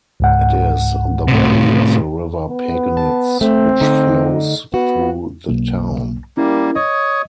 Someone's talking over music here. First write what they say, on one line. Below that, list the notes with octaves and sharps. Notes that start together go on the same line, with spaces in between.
It is in the valley of the River Pegnitz, which flows through the town.
C#2 G#2 F#5
A2 C3
B3
A5
A3 C4
D3 D#4
B3 F#4
B1 A#3
G3 A#3 C#4 E4 A#4
C#5 D#5 D#6